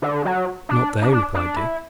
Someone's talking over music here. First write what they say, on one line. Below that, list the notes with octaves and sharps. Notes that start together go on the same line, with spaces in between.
"Not they," replied Dick.
D3
F#3
D4
D4
D4
D4
E4